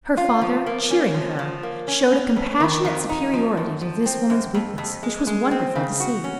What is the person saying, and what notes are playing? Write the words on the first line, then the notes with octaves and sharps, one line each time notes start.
Her father, cheering her, showed a compassionate superiority to this woman's weakness, which was wonderful to see.
F4
F3
A#3
C#4
F3
F3
A#3
C#4
C#4
F2
D#3
F2
D#4
F3
F#2
F3
C4
F#2
F2
F2
G#3
G#3
C4
C#3
F#4
C#4